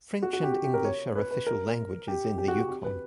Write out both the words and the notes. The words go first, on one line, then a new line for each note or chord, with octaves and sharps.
French and English are official languages in the Yukon.
F#4
F#4
G4
F#4
G4
A#4
C#5
B4
B4
A#4
G4
G4
F#4
F#4
G4
B4